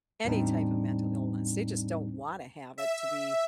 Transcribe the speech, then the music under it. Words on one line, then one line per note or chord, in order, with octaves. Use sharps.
any type of mental illness, they just don't wanna have it to be,
E2 A2 G3 C4 D4 D#4
E5